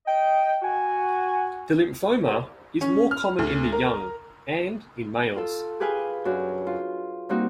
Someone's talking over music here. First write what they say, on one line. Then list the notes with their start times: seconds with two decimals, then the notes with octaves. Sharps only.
The lymphoma is more common in the young and in males.
0.06 D#5 G5
0.63 F#4 G#5
2.24 C2
2.81 C#4
3.11 F6
3.39 D2
3.72 A#4
5.36 F4 A4
5.80 G4 G#4 B4 F5 G5 G#5
6.25 F#2 D4 F#4
6.67 F4
7.29 G3 A#3 C4 D#4 F#4